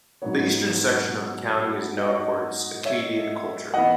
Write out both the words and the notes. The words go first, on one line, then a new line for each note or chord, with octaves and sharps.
The eastern section of the county is known for its Acadian culture.
G#2 F#3 B3 C#5
D#5
C#5
D#5
C#5 E5
E3 B3 D#5 F#5